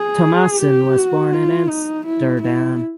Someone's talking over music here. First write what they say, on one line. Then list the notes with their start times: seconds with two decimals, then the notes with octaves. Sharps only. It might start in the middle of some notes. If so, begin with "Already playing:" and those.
Thomassen was born in Amsterdam.
Already playing: G#4
0.61 G4
0.98 F#4
1.33 F4
1.69 D#4
2.06 E4
2.42 E4